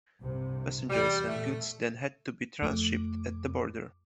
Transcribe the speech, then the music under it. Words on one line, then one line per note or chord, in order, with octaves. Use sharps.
Passengers and goods then had to be transhipped at the border.
C2 G2 C3
E2 G3
G2 A#2 A3
F2 A3 D6